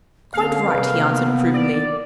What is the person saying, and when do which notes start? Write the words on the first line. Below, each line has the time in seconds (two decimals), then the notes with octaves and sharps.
'Quite right,' he answered, approvingly.
0.34 D3 A#3 C4 C#4 F5
0.65 C3 A4 B4 G5
1.04 B3
1.54 D5